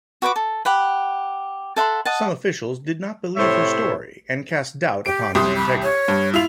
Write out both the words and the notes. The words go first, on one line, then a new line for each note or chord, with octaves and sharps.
Some officials did not believe her story and cast doubt upon her integrity.
F#4 B4 G5 D6
A4
G4 F#5 B5
A4 E5 F#5 C6
D#5 F#5 A5
A2 C3 C5 C#5 E5
G4 D7
C2 G4 C6 D#6
B5
C#5
G2
E4 F4 F7